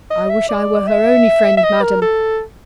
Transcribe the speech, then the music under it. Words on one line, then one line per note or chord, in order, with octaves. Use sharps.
'I wish I were her only friend, madam.
D#5
E5
D5
E5
E5
D#5
A#4
A4